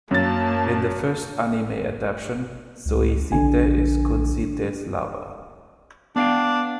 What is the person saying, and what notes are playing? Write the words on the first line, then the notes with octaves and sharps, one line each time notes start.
In the first anime adaptation, Zoisite is Kunzite's lover.
F#2 A#3 A5 A6
C#2
A#1 D3 G#5
B3 D4 F5 G5